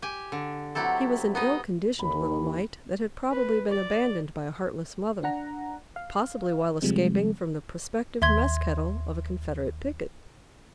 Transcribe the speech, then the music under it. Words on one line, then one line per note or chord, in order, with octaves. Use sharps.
He was an ill-conditioned little mite that had probably been abandoned by a heartless mother, possibly while escaping from the prospective mess-kettle of a Confederate picket.
G4 G#5
D3
C3 F#3 E4 G4 A4 C#6
B3 D#4 D#5
D#2 B5
B4
D5
D4 F#5 A#5
F5
C3 F3 G3 G#3 C4
D#2 E5 C6 G#6